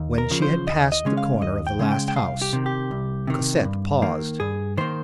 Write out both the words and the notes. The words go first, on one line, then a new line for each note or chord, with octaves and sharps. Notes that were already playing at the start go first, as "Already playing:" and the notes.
When she had passed the corner of the last house, Cosette paused.
Already playing: D#2
A#4
C#3 F3
C5
D#2 D#5
D#5
C#3 G#3 C#4
F5
D#2 D#5
G5
C#3 G#3 C#4
G5
G5
C2 F5
G4
C3 D#3
G4
C2
C3 D#3
G2
D#3 A#3
G2 G#4
D#3 A#3 C5